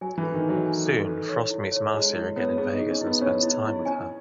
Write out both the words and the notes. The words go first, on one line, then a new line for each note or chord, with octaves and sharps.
Soon frost meets Marcia again in Vegas and spends time with her.
F#3 G#5
E3
A4
D#3
G#5
F#3
G#5
A4
A4
C#5
E4
C#5
G#3 E4
E4
B3 C#5
B3 G#4
D#4
G#4
C#4
E4
B3
C#4 C#5
E4
E4
C#4 G#5